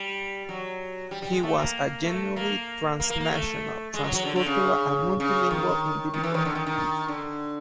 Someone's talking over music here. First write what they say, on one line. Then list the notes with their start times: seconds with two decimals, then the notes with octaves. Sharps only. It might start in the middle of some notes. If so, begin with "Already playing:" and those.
He was a genuinely 'transnational transcultural and multilingual' individual.
Already playing: G3
0.49 F#3
1.11 G3
1.22 G3
1.33 G#3
1.43 A3
1.58 A#3
2.06 A3
2.36 A#3
3.00 A#3
3.10 A#3
3.20 A#3
3.31 A3
3.94 G#3
4.04 F#3
4.15 F#3
4.25 D3
4.36 D3
4.46 C#3
5.20 C#3
5.51 D#3
6.14 D#3
6.23 E3
6.34 D#3
6.45 D3
6.55 D#3
6.67 D#3
7.08 D3